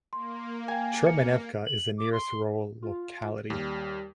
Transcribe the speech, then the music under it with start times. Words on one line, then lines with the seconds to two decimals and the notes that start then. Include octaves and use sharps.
Chermenevka is the nearest rural locality.
0.13 A#3 C6
0.68 F5 G5 G#5
1.07 C#7
1.67 F#7
1.98 D6
2.13 C6
2.82 F4
3.50 D#2 G3 F6